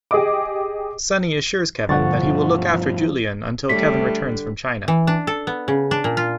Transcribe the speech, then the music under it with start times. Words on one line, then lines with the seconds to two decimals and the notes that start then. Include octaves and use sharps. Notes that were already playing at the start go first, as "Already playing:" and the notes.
Sonny assures Kevin that he will look after Julian until Kevin returns from China.
0.11 G4 G#4 D#5 D6
1.89 G2 B2 D3 F3 F#5 C#6 A6
3.69 D3 G3 A3 C#5 B6
4.88 E3
5.07 D4
5.27 A4
5.47 B3
5.68 C#3
5.91 D4
6.04 A#2
6.17 F4